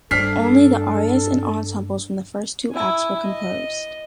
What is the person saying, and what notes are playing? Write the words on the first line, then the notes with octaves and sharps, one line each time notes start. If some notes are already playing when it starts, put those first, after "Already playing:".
Only the arias and ensembles from the first two acts were composed.
G2 A3 D4 A4 F6 B6 C7
E4 G#5
D#5